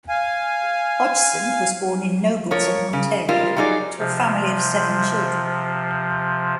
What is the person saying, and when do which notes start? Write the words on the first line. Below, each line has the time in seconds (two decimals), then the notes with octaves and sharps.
Hodgson was born in Nobleton, Ontario to a family of seven children.
0.08 F5 G#5
2.51 F3 A#4 C#5
2.93 C#3
3.29 G3 G#3 F4 G4 A#4
3.56 F#3 G3 D#4 G#4 D5
3.98 C3 F3